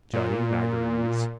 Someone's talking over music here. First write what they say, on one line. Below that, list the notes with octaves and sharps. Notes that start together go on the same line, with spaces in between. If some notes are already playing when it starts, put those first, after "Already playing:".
Johnny Magories.
A#2